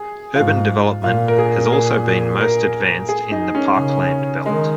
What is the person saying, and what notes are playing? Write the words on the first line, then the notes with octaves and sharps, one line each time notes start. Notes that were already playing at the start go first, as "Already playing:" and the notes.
Urban development has also been most advanced in the parkland belt.
Already playing: G#4
G#2 F4
A#2 F4
A#4
G#4
A#4
G#4
A#4
G#4
D#4
C#4
C#3
D#3 G#3